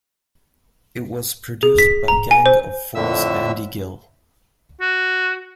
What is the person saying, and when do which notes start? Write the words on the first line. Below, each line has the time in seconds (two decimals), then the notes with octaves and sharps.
It was produced by Gang of Four's Andy Gill.
1.63 G#4
1.78 B6
2.08 A#5
2.31 G#5
2.46 C5
2.95 F2 A2 D3 E5 E6
4.81 F#4